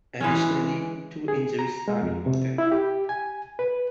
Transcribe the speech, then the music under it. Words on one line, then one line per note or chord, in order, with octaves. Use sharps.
Additionally, two injuries were reported.
E3 G#3 C#4
G#4
A#5
G#3
F2
C3
E4
G4
G#5
B4